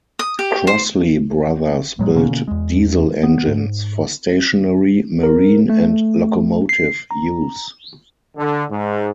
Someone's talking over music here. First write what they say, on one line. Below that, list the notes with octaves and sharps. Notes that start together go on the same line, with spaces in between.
Crossley Brothers built diesel engines for stationary, marine and locomotive use.
D#6
G4
C5
A2 F#3 G#3
B2 D3 A#3 C#4
E2 G#3
B3
G#2
A#4
A3
C7
A#5
D3
G#2